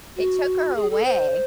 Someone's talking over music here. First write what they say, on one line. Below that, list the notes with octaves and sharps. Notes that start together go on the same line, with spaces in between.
They took her away,
F#4
G#4
A4
C5